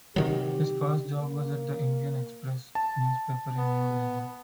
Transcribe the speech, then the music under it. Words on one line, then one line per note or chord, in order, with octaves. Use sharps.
His first job was at the "Indian Express" newspaper in New Delhi.
C3 D#3 F#3 G4
A#3
A5
B3